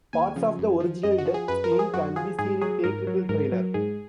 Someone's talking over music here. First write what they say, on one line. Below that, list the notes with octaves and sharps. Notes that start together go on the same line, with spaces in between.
Parts of the original death scene can be seen in theatrical trailer.
D#2 G#5
C#3 F3
F#2
F3
F#2 D#5
F#4
F3
G#4
F#2 B4
A#4
F3
G#4
F#2 F#4
F3 G#4
G#2 G#4
F#3 G#4
G#2 A#4
F#3
G#2 A#4
F#3
G#2 G#4